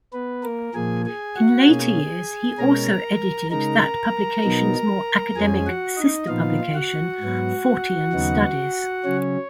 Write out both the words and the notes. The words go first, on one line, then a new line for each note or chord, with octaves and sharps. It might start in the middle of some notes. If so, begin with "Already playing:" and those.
In later years, he also edited that publication's more academic sister-publication "Fortean Studies".
B3 B4
A#3 A#4
A#2 F3 A#3 G#4 G#5
G#4 G#5
F#4 F#5
B2 A#3 C#4 G#4 G#5
B2 G#3 C#4 A#4 A#5
C#3 G#3 D#4 A#4 A#5
B2 F#3 B3 D#4
F2 F3 G#3 C#4 G#4 G#5
F#4 F#5
D#4 D#5
A#2 F3 B3 D#4 F4 F5
F#4 F#5
G#2 F#3 B3
D#2 C#3 F#3 B3 D#4
C#3 F#3 C#4 C#5